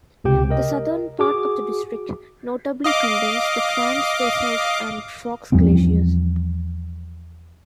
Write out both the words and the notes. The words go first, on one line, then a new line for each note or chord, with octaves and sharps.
The southern part of the District notably contains the Franz Josef and Fox glaciers.
C#2 C3 G4 G5
A#4 D#5
F#4 G#4 D6
D#5 F5 D6
E2 F3 G3 C4